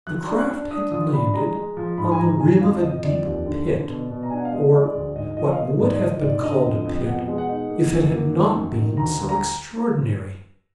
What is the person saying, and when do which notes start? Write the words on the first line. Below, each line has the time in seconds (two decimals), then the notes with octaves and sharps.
The craft had landed on the rim of a deep pit, or what would have been called a pit if it had not been so extraordinary.
0.07 F#3 F#6
0.28 D4
0.38 F#6
0.49 D4
0.70 D4 D#6
0.92 F3 D#6
1.13 D4 B5
1.34 G#3 A#5
1.55 G#3
1.77 F3
1.98 G#2 B5
2.12 G#5
2.19 G#2 A#5
2.40 G#2 G#5
2.61 F2 F5
2.82 F2 D#5
3.03 F2 D5
3.25 D#2
3.46 D3
3.67 D3
3.88 B2
4.10 B2
4.23 A#5
4.30 D4 G#5
4.37 F#5
4.45 F5
4.52 G#3 D#5
4.73 G#3 D#5
4.84 D5
4.95 D2
5.15 G#2 D#5
5.37 F3 D#5
5.53 F5
5.58 A#3 D#5
5.79 G#2 D5
5.93 D5
6.00 D#3 D#5
6.21 G#2 D5
6.43 D3 D#5
6.64 F2
6.85 F2
7.06 B2 F#5
7.27 G#3
7.38 F#5
7.49 D#4
7.70 A#3
7.91 F#2
8.12 A#3
8.34 D#3
8.55 F#2
8.76 D#3
8.97 D2 A#5
9.18 D2
9.29 A#5